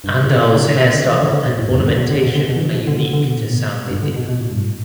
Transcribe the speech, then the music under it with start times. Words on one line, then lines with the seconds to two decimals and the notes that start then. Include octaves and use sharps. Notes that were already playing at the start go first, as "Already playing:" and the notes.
Andal's hairstyle and ornamentation are unique to south India.
0.04 G2
0.23 A2
0.43 B2
0.55 D3
0.68 D3
0.81 B2
0.94 D3
1.07 E3
1.21 D3
1.33 D3
1.46 B2
1.59 A2
1.71 E2
1.78 G2
1.87 D3
1.98 B2
2.10 D3
2.24 B2
2.35 D3
2.49 B2
2.56 E3
2.62 D3
2.74 B2
2.87 D3
3.00 D3
3.13 D3
3.25 B2
3.38 A2
3.50 B2
3.91 G2
4.03 D3
4.16 B2
4.29 B2
4.40 A2
4.50 G2
4.62 A2